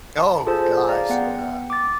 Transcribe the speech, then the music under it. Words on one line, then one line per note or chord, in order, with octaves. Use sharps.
Oh, gosh, yeah.
A5
F4 G#4 A4 C5 A5
G#4 D5 F5 A#5
B3 F#5 G5
D6 A6